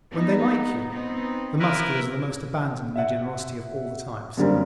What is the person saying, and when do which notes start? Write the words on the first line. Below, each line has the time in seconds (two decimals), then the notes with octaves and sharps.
When they like you the Musculars are the most abandoned in their generosity of all the types.
0.11 B3 D#4
0.91 B3 C4 D#4
1.59 E4 A#4 B4
2.96 E5 F#5
4.37 F#2 D3 G3 A#3 C4